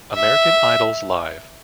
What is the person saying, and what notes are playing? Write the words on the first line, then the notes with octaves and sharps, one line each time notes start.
American Idols Live!
E5